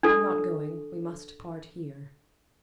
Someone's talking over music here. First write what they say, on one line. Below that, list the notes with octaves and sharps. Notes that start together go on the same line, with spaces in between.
"I'm not going; we must part here."
D4 A4